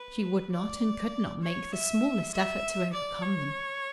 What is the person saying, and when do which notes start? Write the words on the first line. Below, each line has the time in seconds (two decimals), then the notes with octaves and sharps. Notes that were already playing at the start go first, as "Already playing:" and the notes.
She would not and could not make the smallest effort to overcome them.
Already playing: B4
0.52 D5
1.42 C#5
1.73 E5
2.32 E5
2.93 D5
3.22 C#5